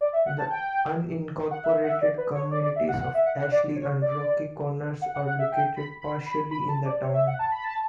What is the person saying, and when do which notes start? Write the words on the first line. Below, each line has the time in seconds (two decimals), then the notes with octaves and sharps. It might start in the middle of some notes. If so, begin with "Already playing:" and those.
The unincorporated communities of Ashley and Rocky Corners are located partially in the town.
0.01 D5
0.13 E5
0.26 F#5
0.38 A5
0.50 G5
1.51 F#5
1.64 E5
1.84 F#5
1.88 E5
2.01 D5
2.18 B4
2.35 C#5
2.51 D5
2.63 D5
2.76 E5
2.88 F#5
3.01 F#5
3.14 E5
3.26 F#5
3.38 F#5
3.51 D5
3.76 C#5
4.02 D5
5.02 F#5
5.14 F#5
5.27 F#5
5.39 E5
5.52 G5
5.76 B5
6.02 B5
6.26 B5
6.51 B5
6.68 A5
6.86 D5
7.02 C#5
7.14 E5
7.27 F#5
7.39 A5
7.52 B5
7.64 A5